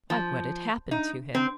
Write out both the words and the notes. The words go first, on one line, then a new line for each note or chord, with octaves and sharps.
Why, what had happened to him?
F3
D#4
C4